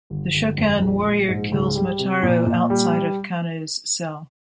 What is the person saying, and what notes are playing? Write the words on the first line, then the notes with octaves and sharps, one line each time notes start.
The Shokan warrior kills Motaro outside of Kano's cell.
G1
G1
F2
A#1
A#1
G#2
C#2
G3
C3
A#2
A#2
G3